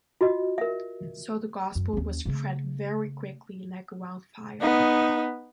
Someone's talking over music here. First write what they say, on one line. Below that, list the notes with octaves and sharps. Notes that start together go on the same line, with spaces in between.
So, the gospel was spread very quickly like a wild fire.
F4 F#4 D#5
A#4 E5
F#2
D#2 C#4
C#3 A3
B3 D#4